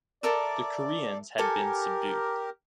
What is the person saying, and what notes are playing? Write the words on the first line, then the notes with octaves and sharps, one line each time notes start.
The Koreans had been subdued.
A4 A#4 D5 E5
G4 A4 A#4 G#5